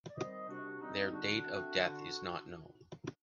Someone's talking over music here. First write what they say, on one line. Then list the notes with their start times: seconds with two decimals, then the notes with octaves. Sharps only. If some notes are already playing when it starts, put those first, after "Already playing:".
Their date of death is not known.
0.09 D5
0.16 D#3 G3 C4 C5 D#5
0.48 C3 D4 F#4
0.79 D#3 G3 C4 D#4
1.11 D3 D4 F#4
1.43 A3 C4
1.75 D3